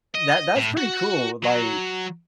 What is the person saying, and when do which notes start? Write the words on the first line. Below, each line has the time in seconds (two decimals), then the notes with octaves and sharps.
that that's pretty cool. Like,
0.14 D#5
0.56 A2
0.77 F#4
1.44 F#3